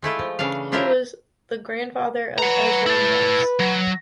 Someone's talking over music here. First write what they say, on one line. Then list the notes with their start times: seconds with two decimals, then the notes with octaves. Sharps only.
He was the grandfather of Ezra Morse.
0.02 G#3 A3 E4 F4
0.19 F3
0.39 C#3 E3 D4 F5
0.72 F3 D4 E4 F4 G4 A#4
2.38 B4 F#5 A#5
2.87 E4 A4
3.59 F#3